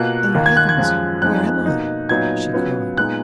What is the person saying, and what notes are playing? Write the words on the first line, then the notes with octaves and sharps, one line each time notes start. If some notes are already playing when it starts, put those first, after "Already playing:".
"Oh, heavens, where am I?" she cried.
Already playing: B2 A#3 F4 F#6
D#2 D#3 A#3 F4
G#6
F#6
G#6
F#2 F3 G#3
F2 F3 G#3 D#4 F#6
B2 A#3 D#4
A#2 F#3 B3 D#4 G#6
C#3 F#3 B3 F4
A#2 G#3 B3 D#4 F#6